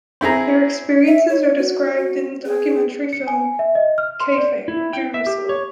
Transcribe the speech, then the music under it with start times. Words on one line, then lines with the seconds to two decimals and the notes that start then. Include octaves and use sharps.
Their experiences are described in the documentary film, "Kaifeng, Jerusalem".
0.21 C4 E4 G#4 A#5
1.07 E5
1.29 C#5
1.58 F#4
1.98 F#4
2.45 G#4
3.13 C#7
3.27 G#5
3.59 E5
3.75 D#5
3.98 F6
4.20 C6
4.38 D5
4.68 E4
4.93 G5
5.14 E5
5.27 G4
5.49 C#5